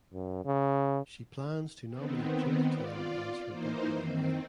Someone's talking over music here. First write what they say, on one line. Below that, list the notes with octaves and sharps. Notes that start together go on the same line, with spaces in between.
She plans to nominate Geoff Taylor as her deputy mayor.
F#2
C#3
D#3 B3 C4
F4 D5
E3 A#3 D#4 C5
D#3 C4